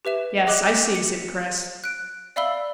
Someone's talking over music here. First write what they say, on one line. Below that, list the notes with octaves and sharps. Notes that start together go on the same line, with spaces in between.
"Yes, I see," said Chris.
G4 B4 E5 E7
G#4 D#5 D6 F#6 G7
C#7
F#6 D7
D5 E5 F5 B5 E6 G7